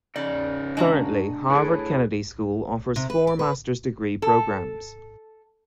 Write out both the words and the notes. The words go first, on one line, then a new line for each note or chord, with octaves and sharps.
Currently, Harvard Kennedy School offers four master's degree programs.
C#3 D#4 D5
G#3 D4 F#4 A#5
A2 G#4 B4
C3
B4
D5
B4
A4